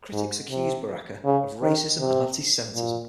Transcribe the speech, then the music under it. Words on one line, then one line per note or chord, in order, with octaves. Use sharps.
Critics accused Baraka of racism and anti-Semitism.
G#2
C3
C#3
D#3
C3
A#2